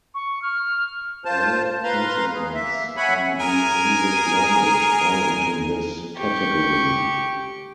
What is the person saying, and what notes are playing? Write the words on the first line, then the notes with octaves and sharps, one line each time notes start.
All consonants in the English language fall into this category.
C#6
F6
F4 C5 A5
B4 F5 A#5 C6
G#4
A#3 E5
C#5 E5 F#5 G#5 B5
G#4 A#4 G#5
G4 C#6